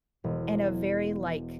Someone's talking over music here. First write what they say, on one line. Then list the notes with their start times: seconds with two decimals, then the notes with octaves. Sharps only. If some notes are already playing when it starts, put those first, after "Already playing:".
in a very, like,
0.24 E1